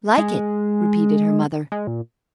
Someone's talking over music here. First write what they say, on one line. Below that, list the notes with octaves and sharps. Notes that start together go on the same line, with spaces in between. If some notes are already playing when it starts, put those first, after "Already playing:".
"Like it?" repeated her mother.
G#3
G#3
A#2